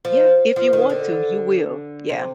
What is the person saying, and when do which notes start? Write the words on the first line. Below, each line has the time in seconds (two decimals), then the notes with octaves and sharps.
Yeah, if you want to, you will. Yeah.
0.05 F3
0.56 F3
0.73 D#3
0.90 D3
2.09 C3